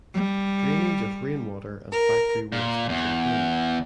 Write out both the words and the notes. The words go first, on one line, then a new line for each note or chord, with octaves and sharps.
Drainage of rainwater and factory waste was improved.
G3
A#4
A#2
E2